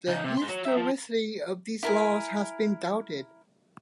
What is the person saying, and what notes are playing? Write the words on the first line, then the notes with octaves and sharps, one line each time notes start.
The historicity of these laws has been doubted.
C#3 D#4
C3
G#2 C6
F#3
A#4 E5
F3
E4 A#4 G#5